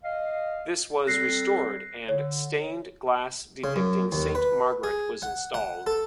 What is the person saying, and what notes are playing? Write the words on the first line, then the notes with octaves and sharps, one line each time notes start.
This was restored and stained glass depicting Saint Margaret was installed.
D#5 F5
G3 C4 A4 F#6 A#6 C7
D3 C#5
C#3
F#2
D#2
B4
G#4
F#5
F#5
A4